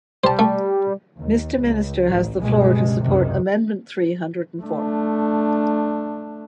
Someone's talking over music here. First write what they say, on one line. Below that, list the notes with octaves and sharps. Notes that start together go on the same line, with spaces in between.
Mr Minister has the floor to support amendment three hundred and four.
G3 C5 A5
A3
D#2
C#2
A1
C#2 G2 B2 G3 G#3
G#1 C#2 F#2 C3 D#3
A3 D4